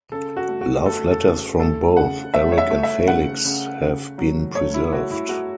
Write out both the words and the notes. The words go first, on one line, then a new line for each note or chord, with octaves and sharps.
Love letters from both Eric and Felix have been preserved.
C#3 A4
F#4
A3
F#4
A3 A4
A4
C#3
A3 A4
C#3 F#5
A3 E5
C#5
E5
A3
E5
C#3 F#5
C#3
C#3
F#3
A3 C#5
E4
A3 F#4
E4
A3 F#4